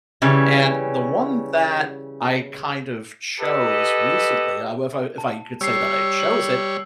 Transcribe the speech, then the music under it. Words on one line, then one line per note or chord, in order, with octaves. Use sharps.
and the one that I kind of chose recently, uh, w if I if I could say that I chose it,
C#3 E3 G3 C#4
G4 A4 B4 D#5
A5
G3 C#5 E6 C7
E6
F#7